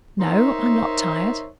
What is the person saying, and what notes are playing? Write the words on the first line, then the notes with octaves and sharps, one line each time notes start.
"No, I'm not tired."
D#4 A#4 C5 C#5 E5